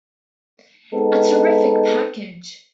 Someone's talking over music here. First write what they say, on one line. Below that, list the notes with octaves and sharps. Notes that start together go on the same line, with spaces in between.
A terrific package!
G#3 B3 C4 D#4 A4